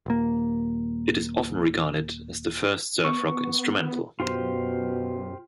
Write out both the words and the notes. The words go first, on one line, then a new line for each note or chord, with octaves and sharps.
It is often regarded as the first surf rock instrumental.
D#1 A#3
B3 C#6
F#2 B2 F4 G4 C5